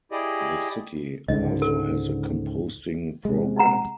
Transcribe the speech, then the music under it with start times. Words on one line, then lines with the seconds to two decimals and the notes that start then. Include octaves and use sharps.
The city also has a composting program.
0.11 E4 G4 G#4 D5 D#5
1.28 C#2 G#2 D3 D#5
1.62 A4
3.25 C3 G#3
3.59 F#5 A#5